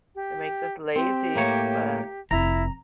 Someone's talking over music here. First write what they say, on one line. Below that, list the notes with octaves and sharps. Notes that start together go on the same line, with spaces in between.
It makes us lazy, but,
G4
C4 G4
A2 A#3 C#5
F1 E4 A#5